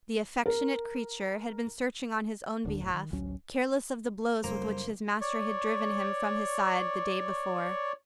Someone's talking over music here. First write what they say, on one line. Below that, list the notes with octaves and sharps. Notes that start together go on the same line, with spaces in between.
The affectionate creature had been searching on his own behalf, careless of the blows with which his master had driven him from his side the day before.
A#4
D1 D2 D3 D4
E1 A2
D#3
A1 D2 F#3 C#4
F#2 C#3 G3 A#3 A4 C5 A#5
C#5 D5 C#6